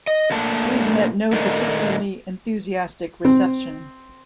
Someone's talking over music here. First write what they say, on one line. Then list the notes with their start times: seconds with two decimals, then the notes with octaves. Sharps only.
These met no particularly enthusiastic reception.
0.07 D#5
0.31 A#2 A3 A#3 D4 A5
1.32 A#2 D#3 A3 A#3 D4 D#4
3.25 C4